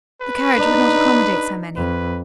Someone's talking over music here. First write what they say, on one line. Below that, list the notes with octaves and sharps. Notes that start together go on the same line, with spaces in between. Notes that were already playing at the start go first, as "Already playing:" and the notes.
The carriage would not accommodate so many.
B4
D4 D#4
F2 B4